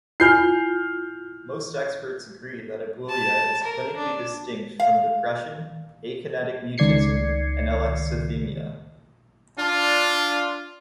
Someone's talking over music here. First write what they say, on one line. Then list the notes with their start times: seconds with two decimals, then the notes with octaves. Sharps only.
Most experts agreed that aboulia is clinically distinct from depression, akinetic mutism, and alexithymia.
0.20 E4 F4 G#5 F6 G6 C7
3.09 A5
3.64 A#4
3.97 D4
4.80 F5
6.78 C#2 D#3 D5 G#6 C7 C#7
9.58 D4 F4